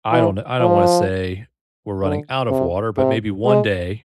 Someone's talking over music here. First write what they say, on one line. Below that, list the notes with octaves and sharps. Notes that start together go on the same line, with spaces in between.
I don't kn I don't wanna say we're running out of water, but maybe one day,
E3
F3
D3
C3
C3
G#3